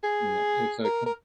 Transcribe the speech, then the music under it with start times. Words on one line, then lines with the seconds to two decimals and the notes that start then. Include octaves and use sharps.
you know, it's like, "Huh."
0.04 G#4
0.84 A#4
1.06 A#4